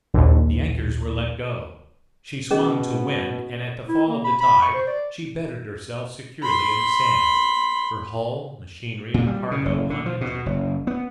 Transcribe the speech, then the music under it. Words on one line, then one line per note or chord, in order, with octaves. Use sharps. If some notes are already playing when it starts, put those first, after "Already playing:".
The anchors were let go, she swung to wind, and at the fall of the tide she bedded herself securely in the sand, her hull, machinery, and cargo uninjured.
A#1 D#2
B2 C#4 G#4 D#5
E4
A#3
B5
B5
C#6
C5
D5
B5 C6
A#2
G3
C#3
F#1
D3
F3
B2
F#1
B3